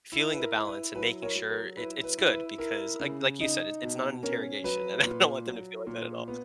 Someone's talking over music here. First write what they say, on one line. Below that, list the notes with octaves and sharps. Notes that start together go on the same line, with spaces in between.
feeling the balance and making sure it it's good because, like like you said, it's it's not an interrogation, and I don't want them to feel like that at all,
E4
B4
A#4
E4
B4
F#3 B4
A#4 C#5
F#3
A#4
E4 B4
B4
E4
B4
E4 A#4
C#3
D#4
B2
C#4 A#4
F#3 B4
A#2
F#3
A#2
B3